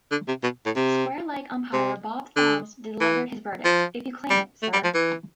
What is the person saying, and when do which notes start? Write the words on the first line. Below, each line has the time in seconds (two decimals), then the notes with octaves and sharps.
Square-leg umpire Bob Thoms delivered his verdict: If you claim it, Sir!
0.11 D3
0.28 C3
0.43 B2
0.66 A2
0.76 C3
1.73 C3
2.36 D3
3.00 E3
3.65 F3
4.30 G3
4.63 A3
4.73 G3
4.84 F3
4.94 E3